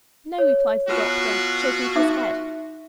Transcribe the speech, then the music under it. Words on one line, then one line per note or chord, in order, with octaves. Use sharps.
'No,' replied the Doctor, shaking his head.
C#5
B2 F4 F#4
D#4 E5 D6